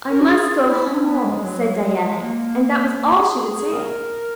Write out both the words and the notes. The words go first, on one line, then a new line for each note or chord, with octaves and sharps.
"I must go home," said Diana, and that was all she would say.
A#4
F#4
G#4
E4
C#4
B3
G#3
F#3
G#3
A#3
A#3
G#4
G#4
G#4
A#4